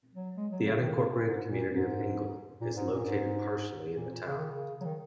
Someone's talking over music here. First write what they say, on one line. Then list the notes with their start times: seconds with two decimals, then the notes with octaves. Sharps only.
The unincorporated community of Ingle is located partially in the town.
0.14 F#3
0.36 G#3
0.51 F#3
0.66 C#3
0.80 D#3
0.95 C#3
1.11 A#2
1.26 G#2
1.48 A#2
1.71 G#2
2.60 A#2
2.76 G#2
2.91 A#2
3.05 G#2
3.96 A#2
4.09 A#2
4.25 C#3
4.37 D#3
4.50 C#3
4.81 F#3
4.85 D#3